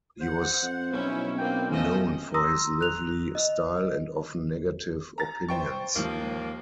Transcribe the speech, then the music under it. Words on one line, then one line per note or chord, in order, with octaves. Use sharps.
He was known for his lively style and often negative opinions.
C5 F#5
F2
B1 C#4 E4
A#3 C4 G5
F3 A3 C#4 D#5
A#5 C6 D#6 E6 A#6
F#6 F7
D#5
A#5 A6
C5 G5 C#6
D#2 F3 A#3